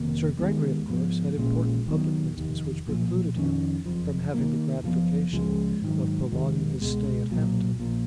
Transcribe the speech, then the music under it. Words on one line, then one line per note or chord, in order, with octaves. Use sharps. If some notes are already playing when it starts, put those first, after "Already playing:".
Sir Gregory, of course, had important public business which precluded him from having the gratification of prolonging his stay at Hampton.
Already playing: F1 F2 D#3 A#3
D#2 D#3 G#3 B3
G#2 F3 B3
A#1 A#2 G#3 C#4
D#2 D#3 F#3 B3
F1 D#2 D#3
B1 A#2 F3
F2 D#3 A#3 C#4
F#1 F2 F3
D#2 D#3 F#3 A#3
F#1 F2 F3 B3
C#2 C#3 F3 G#3
G#2 D#3 F#3
F1 D#2 D#3 G#3
C#2 B2 G#3
B1 A#2 F#3
A#1 A#2 F3